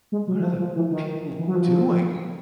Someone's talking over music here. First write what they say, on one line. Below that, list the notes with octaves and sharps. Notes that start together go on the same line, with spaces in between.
What are the people doing?
G#3
F#3
E3
F3
F3
E3
D#3
E3
F#3
F3